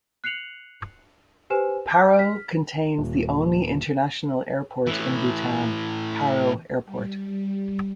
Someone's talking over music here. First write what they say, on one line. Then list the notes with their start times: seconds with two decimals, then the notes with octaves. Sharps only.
Paro contains the only international airport in Bhutan, Paro Airport.
0.24 F#6 C7 C#7 F7 F#7
1.50 G4 B4 C5 G#5 E7
1.90 A5 D6 F6 G6
2.19 F6 B6
2.98 D#1
4.87 A2 E3
6.84 G3